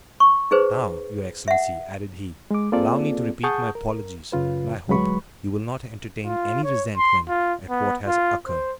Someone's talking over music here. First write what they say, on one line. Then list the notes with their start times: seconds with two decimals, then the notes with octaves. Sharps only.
"And now, your excellency," added he, "allow me to repeat my apologies, and I hope you will not entertain any resentment at what has occurred."
0.20 C#6
0.51 D#4 G#4 B4 C5
1.48 E5 F#5
2.51 G#3 D6
2.72 A#3 C4 F4 G#4 A4 D5
3.44 G#4 F#5 A5 C#6 D#6 G6
3.75 A#4
4.32 F#2 C#3 F4 B4
4.89 D2 F#3 G#3 B4 B5 C#6
6.26 F4
6.64 C#5
6.97 C6
7.29 F4
7.70 B3
8.07 F4
8.47 C5